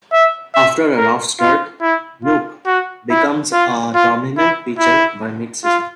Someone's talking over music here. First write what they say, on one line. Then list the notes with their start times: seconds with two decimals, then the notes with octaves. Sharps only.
After a rough start, Nuke becomes a dominant pitcher by mid-season.
0.12 E5
0.55 E5
0.96 A#4
1.40 F4
1.81 E4
2.25 F4
2.67 F#4
3.10 E4
3.53 F4
3.95 F4
4.38 E4
4.79 E4
5.64 F4